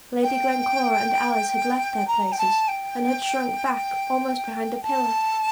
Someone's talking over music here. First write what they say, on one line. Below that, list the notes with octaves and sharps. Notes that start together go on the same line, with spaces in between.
Lady Glencora and Alice had left their places, and had shrunk back, almost behind a pillar.
G5
A#5
G5
A5
G5
A5